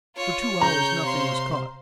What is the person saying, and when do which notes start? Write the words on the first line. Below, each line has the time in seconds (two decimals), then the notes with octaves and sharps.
For two hours nothing was caught.
0.17 F4 C#5
0.61 C#3 A#5 G6
1.02 C3 C5 F5 C6